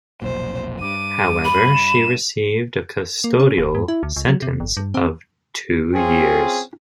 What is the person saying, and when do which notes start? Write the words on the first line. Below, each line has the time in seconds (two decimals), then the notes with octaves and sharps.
However she received a custodial sentence of two years.
0.22 F1 B1 A#2 C5
0.81 G2 D6 D#7
1.45 B5
1.74 E7
3.24 A#3
3.40 C#4
3.58 F1
3.75 G#2
3.88 E4
4.03 D2
4.16 C#2
4.28 F#3
4.42 C3
4.60 G1
4.77 G2
4.94 C4
5.94 C4 C#4 F4 G#4